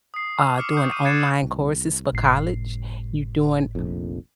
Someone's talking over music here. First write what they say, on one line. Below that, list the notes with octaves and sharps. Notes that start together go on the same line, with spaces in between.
uh, doing online courses for college. You doing,
D#6 C7
C#6
D6 F6 C#7
D#6 G6
D6 D#7
F#6 G#6 A6 C7 C#7 E7
C2
G1 A2 C7
F1 A#1 F2